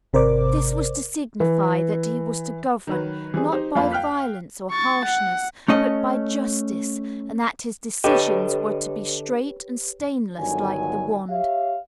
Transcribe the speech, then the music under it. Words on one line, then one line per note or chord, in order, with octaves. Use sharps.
This was to signify that he was to govern, not by violence or harshness, but by justice, and that his decisions were to be straight and stainless like the wand.
G#1 C3 A#4 C5 D5 D6
E3
D#3 F#3 B4
E3 G3 C4 G#4
D#4 G4 C5
F2 A#3 F4 B5
F5 G5 F6 F#6 B6
C#6 A6
F#5
A3 C#4 D#5
D3 G4 A4 B4 C#5 D#5
G1 D3 D#3 F#3 G#5
G4 C#5 E5 F5